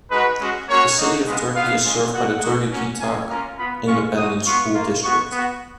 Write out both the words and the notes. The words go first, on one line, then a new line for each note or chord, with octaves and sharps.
The City of Turkey is served by the Turkey-Quitaque Independent School District.
G#3 D#4 F#4 B4
G#3 C#4 F#4
A#3 C#4 F#4 C#5
A#3 D#4 F#4
G#3 B3 F4 D#5
B3 F4 F5
G#3 C#4 F4
B3 F#4 F#5
G#3 B3 D#4 F#4
A#3 C#4 F#4
A#3 C#4 F4 G#5
A#3 C#4 F4 A#5
B3 F4 B5
G#3 C#4 F4 C#6
G#3 D#4 F#4 D#6
B3 F4 C#6
A#3 F4
B3 F#4 C#6
B3 F#4